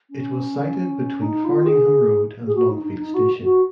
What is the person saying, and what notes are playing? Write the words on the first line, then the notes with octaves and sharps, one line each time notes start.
It was sited between Farningham Road and Longfield station.
C#4
D#4
F4
G#4
G#4
F#4
D#4
D#4
D#4
F#4
F#4